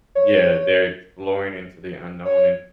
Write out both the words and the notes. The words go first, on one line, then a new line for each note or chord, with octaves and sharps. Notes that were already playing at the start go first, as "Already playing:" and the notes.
Yeah, they're exploring into the unknown in
C#5
C#5